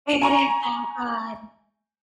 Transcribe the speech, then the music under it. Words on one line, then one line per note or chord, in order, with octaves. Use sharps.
It is so good
G#5 A#5 C#6